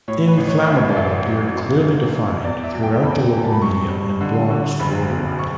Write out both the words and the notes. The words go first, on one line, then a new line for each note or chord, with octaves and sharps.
"Inflamable" appeared clearly defined throughout the local media and blogs worldwide.
A2 C#5
B4
A1
C#5
A1 E5
D5
A1 E5
F#2
F#2
G1
F#2
E2 D5
E5
F#3
G5
E2 B5
F#3
A5
B5
G2 C#6
G3
D3
D3
F#1 B5
B2
C#6